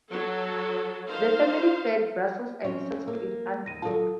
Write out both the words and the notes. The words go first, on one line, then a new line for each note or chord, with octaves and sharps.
The family fled Brussels and settled in Antwerp.
F#3 A4
D#4 C5 F5
C4 C#4 C#5
A#3
D#2 A#6 D#7
F#3 F4 A4 A5